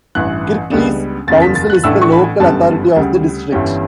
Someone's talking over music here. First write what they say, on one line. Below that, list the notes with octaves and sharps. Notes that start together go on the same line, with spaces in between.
Kirklees Council is the local authority of the district.
A1 G2 E3 F#6
C#2 C#3 G3 B3 D4
F#1 E2 C#3 A6
B6
A6
F#6
A1 A2 E3 A3 D4 E6
C#6
B5
G1 F#2 D3 G3 B3 A5
D2 C#3 G3
G1 G2 E3 G3 C#4 G5